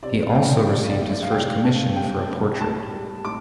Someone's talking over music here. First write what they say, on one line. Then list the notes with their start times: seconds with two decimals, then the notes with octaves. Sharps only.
He also received his first commission for a portrait.
0.03 C3 D5
0.30 F5
0.35 A3 G5
0.67 C3 D5
0.89 D5
0.99 A3
1.10 D5
1.23 F5
1.31 C3 G5
1.64 A3 A5
1.96 C3 G5
2.28 A3
2.60 A2 A5
2.92 G3
3.25 A2 D6